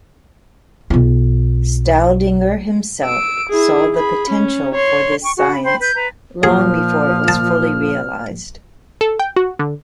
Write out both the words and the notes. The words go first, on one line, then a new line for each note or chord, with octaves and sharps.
Staudinger himself saw the potential for this science long before it was fully realized.
B1 F4
E6 D7
E4 G#4
G#4 B5
C#4
C#5 C6
G5 C#6
F#4 G#4
B5
C5 G5 B5 C6
B4 G6
B4 A#5
A#2 F3 G#4 F6
A5
A4
G5
F#4
D3